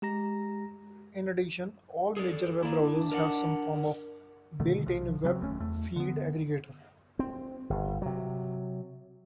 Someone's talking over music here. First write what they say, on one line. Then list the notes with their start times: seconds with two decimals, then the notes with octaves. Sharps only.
In addition, all major web browsers have some form of built-in web feed aggregator.
0.02 G#3 G4 A#5 A#6
2.17 G#4 A4 D5
2.63 A#3 E4 D5
2.81 D4
3.12 A#4 D5 F#5
4.60 B2 D3 D#3 A3
4.85 B1 C3 D#3 F3
5.24 C#3 F#3 G3 C4
5.41 F1 D#2 A3 C#4
5.60 E2 A3
5.96 D3 B3
7.19 C4
7.70 G1
8.02 C3 F#3